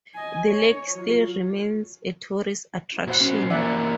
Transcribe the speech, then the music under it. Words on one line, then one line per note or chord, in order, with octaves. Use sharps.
The lake still remains a tourist attraction.
D#5 G#5
C#5
F#3 F4
A#2 F#4 C5 F#5
C#4
E3 A#3 D5 E5 F#5